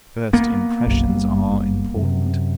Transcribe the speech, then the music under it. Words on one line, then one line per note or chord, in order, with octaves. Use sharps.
First impressions are important.
A#3 B3
F#1 B1 F#2
F#1 G3
F#2 C3